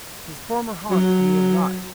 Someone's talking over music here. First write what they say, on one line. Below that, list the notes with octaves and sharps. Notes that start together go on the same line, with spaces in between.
His former haunts knew him not.
F#3